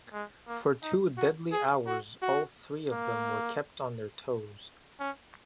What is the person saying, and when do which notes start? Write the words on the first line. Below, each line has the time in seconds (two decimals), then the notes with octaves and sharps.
For two deadly hours, all three of them were kept on their toes.
0.13 G#3
0.48 A#3
0.83 D#4
1.18 F#4
1.52 G#4
1.87 F#4
2.22 F#4
2.91 A#3
5.00 C#4